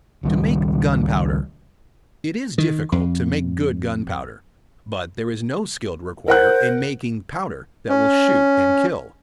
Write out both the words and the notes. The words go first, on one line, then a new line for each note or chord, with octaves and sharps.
To make Gunpowder.--It is difficult to make good gunpowder, but there is no skill required in making powder that will shoot and kill.
C#2 D#3 G3
D#3
F2
A#4 C5 F#5 F#6
C#4